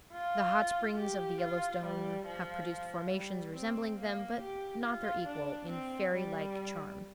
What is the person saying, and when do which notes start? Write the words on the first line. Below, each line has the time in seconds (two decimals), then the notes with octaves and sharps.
The hot springs of the Yellowstone have produced formations resembling them, but not their equal in fairy-like charm.
0.12 F4
0.98 G4
1.41 F4
1.84 G3
2.26 F3
3.12 G3
3.55 C4
3.98 A#3
4.40 G4
4.83 F4
5.26 D4
5.69 C4
6.12 G3